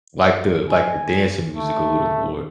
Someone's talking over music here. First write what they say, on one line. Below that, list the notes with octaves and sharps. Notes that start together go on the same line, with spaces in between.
Like the like the dancing music a little more.
G#5
A3